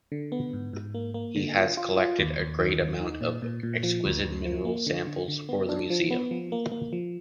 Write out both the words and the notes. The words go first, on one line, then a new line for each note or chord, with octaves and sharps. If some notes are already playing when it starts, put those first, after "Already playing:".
He has collected a great amount of exquisite mineral samples for the museum.
D3
B3
G#2
G#2
A#3
A#3
D3
F4
F4
F4
D#2
D#2
D#3
D#2
D#4
A#2
A#2
A#2
F3
D2
D2
F3
A#3
D3
D3
D3
B3
D4
F3
B3
F3
A#3
A#3
F3